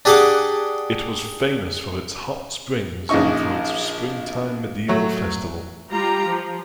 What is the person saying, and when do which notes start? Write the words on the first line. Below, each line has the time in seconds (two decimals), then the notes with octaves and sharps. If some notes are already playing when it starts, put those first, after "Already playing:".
It was famous for its hot springs and for its springtime medieval festival.
0.05 D4 G4 G#4 F#5 G5 D6
3.09 A#1 C#3 D#4 C#6
4.88 F#3 A3
5.91 G3 F4 G4 A#5
6.28 F3